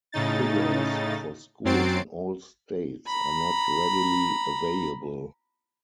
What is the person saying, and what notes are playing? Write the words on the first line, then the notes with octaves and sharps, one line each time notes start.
Figures for schools in all states are not readily available.
A2 C#3 D#4 A6
F#2 F#3 C4 A6 C7 D7
A#5 B5